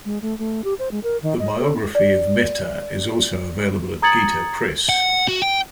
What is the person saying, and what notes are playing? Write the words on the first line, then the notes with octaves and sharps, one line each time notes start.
The biography of Mehta is also available at Geeta Press.
G#3
A3
A3
G4
C5
G#3
A#4
D#3
D#5
A4
D5
A#5 D#6 G#6 A6 C#7 F#7
F#5
F#4
G5